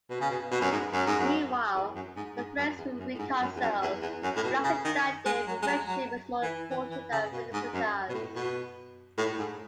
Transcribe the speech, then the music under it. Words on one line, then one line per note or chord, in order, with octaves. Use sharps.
Meanwhile, the friends reconcile, realizing that their friendship is more important than Felicitas.
B2
C#3
B2
B2
F#2
G#2
F#2
G#2
F#2
E2
F#2
G#2
G#2
F#2
E2
F#2
A2
G#2
F#2
E2
F#2
E2
E2
F#2
A2
B2
C#3
D#3
G#3
F#3
G#3
F#3
F#3
E3
E3
E3
C#3
B2
G#2
F#2
B2
A2
B2
A2
A2
G#2